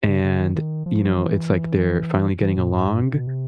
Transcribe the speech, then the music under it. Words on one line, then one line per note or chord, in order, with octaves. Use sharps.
and, you know, it's like they're finally getting along,
C#3
C#3
D#3
D#3
F3
E3
E3
A#2
G#2
G2
C3
B2
C3